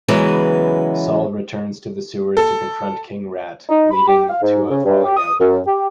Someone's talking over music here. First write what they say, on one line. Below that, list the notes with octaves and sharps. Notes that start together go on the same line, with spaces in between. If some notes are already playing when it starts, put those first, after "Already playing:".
Saul returns to the sewers to confront King Rat, leading to a falling out.
C#3 E3 F#3 G#3 B3
A4
D#4
B5
G4
F5
G#2
C#3
G2
G4
D#6
F#2
G4